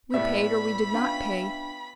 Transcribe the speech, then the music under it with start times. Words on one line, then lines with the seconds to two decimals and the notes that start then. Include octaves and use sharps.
We paid or we did not pay.
0.14 A2 B3 G4 D5 E5 B5
0.93 B3 C#4 D4 F4 G5